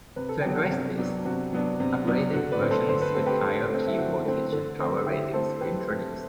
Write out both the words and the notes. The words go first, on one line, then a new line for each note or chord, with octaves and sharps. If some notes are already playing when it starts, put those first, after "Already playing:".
To address this, uprated versions with higher peak voltage and power ratings were introduced.
C3 B4
A4
F#3 B3 D4 G4
F#4 A4
C3
F#3 B3 D4
C3 F#4
F#3 B3 D4
C3
F#3 B3 D4
D3 F#4
B4 D5
A3 C4
A4 C5
D3 C5
B4
A3 C4 A4
G4 B4
D3
A3 C4
E4
D3 F#4
A3 C4
D3
A3 C4
D3 E4 G4
A3 C4 A4 C5
D3 G4 B4
A3 C4